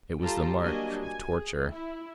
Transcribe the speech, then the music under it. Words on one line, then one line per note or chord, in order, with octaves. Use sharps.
It was the mark of--torture!
G3 F4 G4 A4 A5 A#5
F#3 G3 A#3 D4 D#5 G#5
G#5
G#4
E4